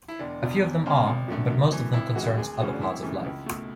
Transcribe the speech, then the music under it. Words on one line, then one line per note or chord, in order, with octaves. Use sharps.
A few of them are, but most of them concerns other parts of life.
E4
E1 D4
E2 B2
E2
C#3 G#3
G#1
F#2 D3 A3
F#2
E3 A3
G#1 E4
F#2 E3 G#3 F#4
D2 G#4
C#3 E3 A3 F#4
D4
G#1 E4
F#2 C#3 E3 A3
C#2
B2 A3